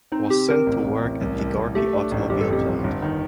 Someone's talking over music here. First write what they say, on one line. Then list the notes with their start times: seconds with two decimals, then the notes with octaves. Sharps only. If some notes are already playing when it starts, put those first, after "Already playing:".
Was sent to work at the Gorky Automobile Plant.
0.12 C4 D#4
0.29 C3 G4
0.48 C3 A#4
0.67 A1
0.84 A1
1.03 A1
1.21 C2
1.39 C2
1.57 C2
1.75 A3 G4
1.93 D4
2.12 A1
2.29 G1 G4
2.41 A4
2.48 F2 G4
2.67 G1
2.84 G1
3.02 D#3